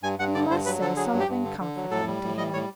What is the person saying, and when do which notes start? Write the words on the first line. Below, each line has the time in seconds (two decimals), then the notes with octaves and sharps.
You must say something comforting to him.
0.03 G2 G#5
0.19 G2 F#5
0.35 D3 D5
0.50 G2 C5
0.66 F#3 B4
0.81 D3 A4
0.96 F#3 G#4
1.13 G2
1.20 G4
1.28 G2
1.44 D3
1.60 D3
1.76 F#3
1.91 A2 A4
2.07 G3
2.23 A2
2.38 G3 D#5
2.53 A2 C#5